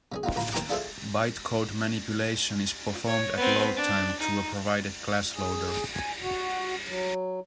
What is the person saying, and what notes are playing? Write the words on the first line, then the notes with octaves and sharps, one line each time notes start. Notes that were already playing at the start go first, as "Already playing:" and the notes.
Bytecode manipulation is performed at load-time through a provided class loader.
C3 C#4 G#4
C4 D#4 F4 F#4
A1 D2 F4 A#5 B5
D#2 C4 G5 A#5 D6
D4 F4 G#4 A4 C5 E5
C#5
B3 C4
D4
D#4
G#4
G#5
F#4
F#3